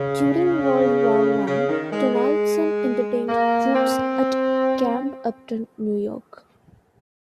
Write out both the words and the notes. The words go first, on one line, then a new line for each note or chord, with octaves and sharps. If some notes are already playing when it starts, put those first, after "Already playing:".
During World War One, Donaldson entertained troops at Camp Upton, New York.
Already playing: C#3
C#3
D#3
G#3
G#3
A#3
C4